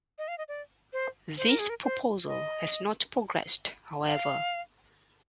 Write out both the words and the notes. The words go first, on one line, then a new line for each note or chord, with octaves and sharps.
This proposal has not progressed, however.
D#5
F5
D#5
D5
C5
C5
A#4
G#4
A#4
C5
D#5
F5